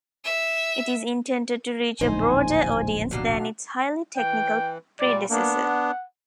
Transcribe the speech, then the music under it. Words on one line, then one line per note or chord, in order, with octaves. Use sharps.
It is intended to reach a broader audience than its highly technical predecessor.
E5
D1 A#1 D#4 C5 G#5
B2 F#3 D4 F5
E3 G5
A#2 G3 D5
A#3 B3 D4
F#5